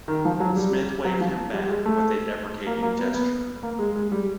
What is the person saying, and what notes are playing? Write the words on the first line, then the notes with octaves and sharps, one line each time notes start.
Smith waved him back with a deprecating gesture.
D#3
F3
F#3
G3
F#3
F3
G3
G#3
A3
A#3
A#3
B3
B3
A#3
G#3
G#3
G3